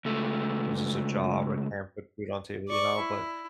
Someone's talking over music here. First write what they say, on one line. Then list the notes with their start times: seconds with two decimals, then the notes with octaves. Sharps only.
loses a job or can't put food on table, you know, but
0.05 C#2 A3
2.69 D5 C#6
2.99 E4